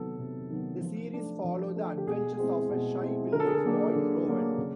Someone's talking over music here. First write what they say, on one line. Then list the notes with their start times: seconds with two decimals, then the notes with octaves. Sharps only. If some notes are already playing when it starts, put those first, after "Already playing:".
The series follow the adventures of a shy village boy, Rowan.
Already playing: C3 D#3 F#3 B3 A4
0.19 C3
0.50 D#3 F#3 B3
0.81 F3
1.13 A3 D4
1.44 F3
1.76 A3 D4
1.98 G4
2.07 B2 G#4
2.39 G#3 C4 E4
2.70 B2
3.01 G#3 C4 E4
3.32 D3 A#4
3.40 A4
3.47 G#4
3.54 A4
3.64 F#3 A#3 D4
3.95 D3
4.27 F#3 A#3 D4
4.58 C#3